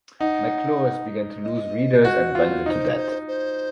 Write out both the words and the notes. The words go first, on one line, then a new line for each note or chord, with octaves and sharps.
"McClure's" began to lose readers and went into debt.
D#4 F#5
D#5
F#4
F4
D#4 C5 D#5
C5
C5